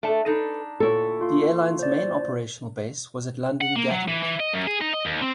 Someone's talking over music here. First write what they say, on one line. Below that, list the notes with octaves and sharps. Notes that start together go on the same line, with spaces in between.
The airline's main operational base was at London Gatwick.
A3 D4 A4 A5
D4 D#4 A4 B4
D2 A#2 E4 A4 C#5
F4 F5 C6
C5 D5
F#5
A#3
F#3
E3
E3
D#5
F#2
G#4
D#4
D#5
D#2
C4